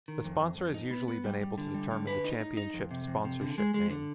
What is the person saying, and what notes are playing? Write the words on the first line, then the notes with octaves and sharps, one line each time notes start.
The sponsor has usually been able to determine the championship's sponsorship name.
D#3
F2
F2
F2
D#4
B3
B3
G3
G3
D3
G3
D3
B4
D#4
D#4
D#4
F2
C3
F2
C3
D3
G#3
G#3
D3